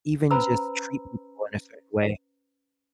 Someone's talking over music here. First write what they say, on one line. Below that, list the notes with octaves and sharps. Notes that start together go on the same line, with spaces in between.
even just treat people in a certain way.
C#4 B4 C5 A#5 B5 E6